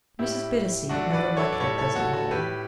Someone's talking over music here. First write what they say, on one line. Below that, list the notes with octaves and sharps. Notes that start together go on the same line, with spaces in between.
Mrs. Bittacy had never liked their present home.
A2 G3 E4 G4
D3 F#3 A3 D4 F#4
B4 D5
A4 C#5
D5
A2 G3 A4 C#5
A4 C#5
F#4 A4
F#4 A4
A2 G3 G4 B4